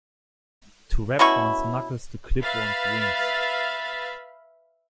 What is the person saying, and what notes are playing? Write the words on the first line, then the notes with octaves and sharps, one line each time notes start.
To rap one's knuckles to clip one's wings.
B2 C#4 E4 C#6
B4 E5 F5 B5 A6